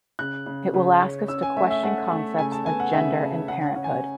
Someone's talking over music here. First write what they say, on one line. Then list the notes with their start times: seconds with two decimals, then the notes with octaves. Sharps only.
It will ask us to question concepts of gender and parenthood.
0.19 C#3 F#6
0.46 C#3
0.74 C#3
1.02 C#4
1.28 C#4 E6
1.43 G#5
1.57 A3 E5
1.70 E5
1.83 A3 F#5
2.12 A3
2.39 C#3 G#5
2.52 A5
2.66 B3 G#5
2.80 F#5
2.93 C#3 E5
3.20 C#3
3.48 C#3 F#5
3.66 F#5
3.76 C#4
3.84 G#5